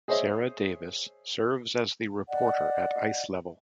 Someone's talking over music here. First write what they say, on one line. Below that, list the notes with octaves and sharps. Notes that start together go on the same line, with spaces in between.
Sarah Davis serves as the reporter at ice level.
G#4 C5 C#5 D#5 E5
D5 D#5 F#5